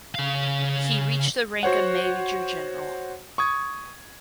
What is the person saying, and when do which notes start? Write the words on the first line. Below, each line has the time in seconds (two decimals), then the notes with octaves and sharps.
He reached the rank of Major General.
0.15 C#3 F5
1.63 F#4 C5 C#5 F#5
3.38 C#6 D#6 G#6